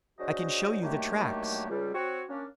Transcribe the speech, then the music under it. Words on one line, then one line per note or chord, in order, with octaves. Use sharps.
"I can show you the tracks."
F#3 G#3 D4 F#4 C5 D#5
G2 D#3 F#3 A3 A#3 G4
C#2 G3
C4 F#4 C#5
A#3 C#4 D4